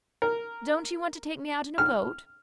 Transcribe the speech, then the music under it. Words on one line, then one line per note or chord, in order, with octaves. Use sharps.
"Don't you want to take me out in a boat?"
A#4
F6